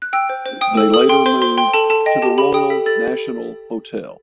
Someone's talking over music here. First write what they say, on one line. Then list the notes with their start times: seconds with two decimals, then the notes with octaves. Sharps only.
They later moved to the Royal National Hotel.
0.02 F#6
0.13 G5 E6
0.29 C5
0.45 C5
0.61 G5 D#6
0.77 A4 E6
0.94 A4 D#6
1.09 G5 C6
1.26 C5 C6
1.42 C5 C6
1.57 G5 C6
1.73 A4 A5
1.90 A4 A5
2.06 D#5 G5
2.22 G4 A5
2.38 G4 B5
2.54 G5 D#6
2.70 A4 B6
2.86 A4 A6